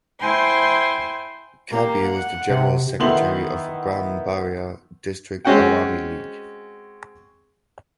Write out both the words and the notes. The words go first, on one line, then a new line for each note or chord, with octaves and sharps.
Kabir was the general secretary of Brahmanbaria District Awami League.
E4 C5 G5 G#5 C6
A#3 G4
F#5
C3
D#3 B3 E4 C6 F#7
G#3 C4 C#4 F#4 F#5 G5